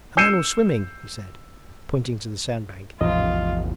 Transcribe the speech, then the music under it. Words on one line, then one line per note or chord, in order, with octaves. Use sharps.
'A man was swimming...' he said, pointing to the sandbank.
E6 G6 C7 C#7 D#7 E7
A1 E2 G#2 C3 F3 F4 D#5